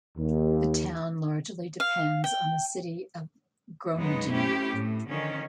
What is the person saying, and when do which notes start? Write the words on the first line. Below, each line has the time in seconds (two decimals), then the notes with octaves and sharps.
The town largely depends on the city of Groningen.
0.18 D#2
1.80 F5
2.24 G5
3.95 F#2 C#3 F#3 G#3 B3 D#4
4.30 A3 C4 C#4 E4 G4
4.70 A2
5.08 D3 D#3 F3 C#4